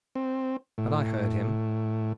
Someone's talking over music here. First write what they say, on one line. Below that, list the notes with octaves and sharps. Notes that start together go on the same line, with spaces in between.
Had I heard him?
C4
A2